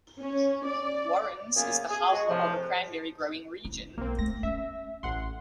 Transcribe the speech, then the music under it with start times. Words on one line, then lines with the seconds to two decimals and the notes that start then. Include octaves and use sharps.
Warrens is the hub of a cranberry-growing region.
0.20 C#4
0.66 D5
1.55 F#2 C#3 A#3 B3 G#5
1.89 G#4
2.12 G#3 F#4
2.28 A2 C3 F3
3.65 E4
3.98 B1 A#3 C4
4.19 A3 A#6
4.43 C#4 E5
5.03 A1 C#4 F#5 C6